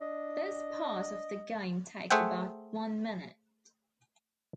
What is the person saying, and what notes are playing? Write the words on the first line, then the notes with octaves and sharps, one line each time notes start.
This part of the game takes about one minute.
D4 D#5
A3 G#4 C5 E5 F#5 G5